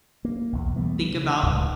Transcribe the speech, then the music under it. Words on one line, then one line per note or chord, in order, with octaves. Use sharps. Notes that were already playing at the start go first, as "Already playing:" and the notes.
think about“
A#3
B1 E2 B2
E3 G3 A3 B3
C#3
D1 C#2 A2 C3